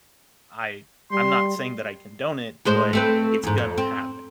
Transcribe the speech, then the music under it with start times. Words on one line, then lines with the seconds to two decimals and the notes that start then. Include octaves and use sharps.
I I'm not saying that I condone it, but it's gonna happen.
1.12 G3 C6
2.65 A2 G#3 C5
2.93 A3 C4 B4
3.43 E2 G#2
3.58 F2
3.78 C4